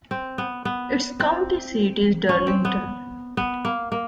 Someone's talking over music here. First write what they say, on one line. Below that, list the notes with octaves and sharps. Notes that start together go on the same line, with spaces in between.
Its county seat is Darlington.
C4
B3
B3
C4
C#4
C4
B3
B3
A#3
A#3